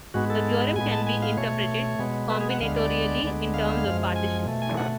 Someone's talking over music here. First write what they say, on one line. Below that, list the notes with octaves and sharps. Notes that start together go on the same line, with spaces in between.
The theorem can be interpreted combinatorially in terms of partitions.
G#2 G#3 B3 F#4
A4
A2 G#3 B3 G#5
A5
G#5
F5
B2 A3 C#5
B2 G#3 B3
B4
G#4
F#5
D2 D3 G#3 B3 F5
D5
D2 D3 G#3 B3
F5
F#2 F3 G#3
G#5
B2 A3
G#5
F#5